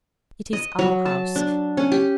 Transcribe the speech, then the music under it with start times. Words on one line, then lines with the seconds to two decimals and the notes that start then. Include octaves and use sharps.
It is our House.
0.53 D#5
0.79 F#3
1.06 A5
1.36 D4
1.77 C#4
1.92 G4